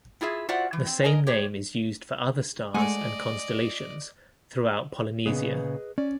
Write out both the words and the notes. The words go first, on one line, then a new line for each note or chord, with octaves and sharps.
The same name is used for other stars and constellations throughout Polynesia.
E4 F4 G#4 E5
F4 F#4 C5 D5 E5 F#5
E3
C4
A#4 D#5 G#5
G4 C5 C#5
G#3 A3 D5 D#5 F#5 G#5
A#2 C#3 B3 G#4 B4 D#5
C#4 D5